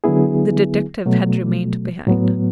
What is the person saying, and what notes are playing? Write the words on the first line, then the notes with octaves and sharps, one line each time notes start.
The detective had remained behind.
D3 F#3 B3 E4 G#4
B2 F#3 A3
A2 F#3 B3